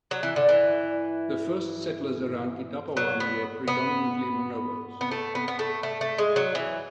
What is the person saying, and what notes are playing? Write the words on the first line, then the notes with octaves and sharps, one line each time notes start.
The first settlers around Kidapawan were predominantly Manobos.
F#3
E3
D3
E3
F#3
B3
B3
B3
A3
B3
B3
A3
A3
A3
G#3
F#3
E3